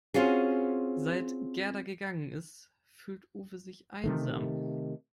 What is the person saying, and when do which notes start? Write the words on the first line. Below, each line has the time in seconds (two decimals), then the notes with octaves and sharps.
Seit Gerda gegangen ist, fühlt Uwe sich einsam.
0.14 C4 C#4 F4 F#4 G#4
4.04 C3 D#3 A3